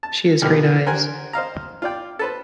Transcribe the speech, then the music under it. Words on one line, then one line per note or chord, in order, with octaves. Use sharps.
She has green eyes.
A5
B1 D3 D#3 B3 G4 F6
G4 A#4 C5 F#5 G#5
C5 D#5 F5 A#5
F4 D5 G5
A4 B4 C5